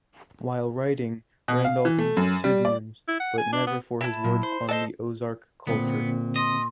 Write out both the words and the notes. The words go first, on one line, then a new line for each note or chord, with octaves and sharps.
While writing, Randolph used pseudonyms, but never for his work on the Ozark culture.
B2
F5
E3
A3
F#2
G3
D5
E4
F#5
G#5
D4
B3
E4 A5
A#2 F#3
C5
A4 C5 D#5 A5
A#2 D3 B3 C4
D#5 C6